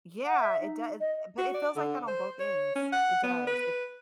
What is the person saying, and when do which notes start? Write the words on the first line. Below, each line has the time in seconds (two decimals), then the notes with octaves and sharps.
Yeah, it do but it feels like that on both ends; it does if
0.25 F#5
0.40 E5
0.60 D#4
1.00 D#5
1.38 F#4
1.54 D5
1.76 D3
2.08 C5
2.40 C#5
2.76 C#4
2.93 F#5
3.23 B3
3.47 B4